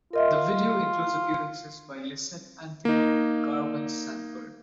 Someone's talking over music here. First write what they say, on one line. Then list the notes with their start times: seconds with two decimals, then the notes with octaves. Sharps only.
The video includes appearances by Lysette Anthony and Garwin Sanford.
0.13 F4 A#4 D#5 E5
2.85 A#3 D#4